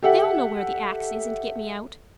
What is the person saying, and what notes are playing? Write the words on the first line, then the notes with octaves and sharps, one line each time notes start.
They'll know where the axe is and get me out.
G4 A4 E5 F#5